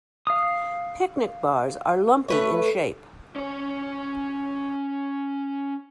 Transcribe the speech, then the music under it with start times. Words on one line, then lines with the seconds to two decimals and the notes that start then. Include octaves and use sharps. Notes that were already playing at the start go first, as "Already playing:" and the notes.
Picnic bars are lumpy in shape.
0.27 F5 D#6
2.28 A3 B4 C#5
3.36 C#4 C#5